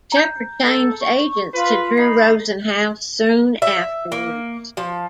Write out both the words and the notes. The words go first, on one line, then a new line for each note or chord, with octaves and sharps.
Sheppard changed agents to Drew Rosenhaus soon afterwards.
A#5 G6
A4
C#6
F4 B4
D#4 B5 C7
E5
A#3
F3